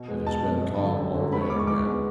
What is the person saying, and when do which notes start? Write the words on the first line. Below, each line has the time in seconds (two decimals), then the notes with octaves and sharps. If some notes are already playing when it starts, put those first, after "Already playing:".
It has been calm all day again.
Already playing: B2
0.08 G#3 B3
0.26 B2 A5
0.44 G#3 B3
0.62 F#2
0.80 D3 F#3
0.97 F#2
1.15 D3 F#3
1.32 G#2 B5
1.41 C#6
1.50 B3 D6
1.54 G#3
1.59 C#6
1.67 G#2 D6
1.85 G#3 B3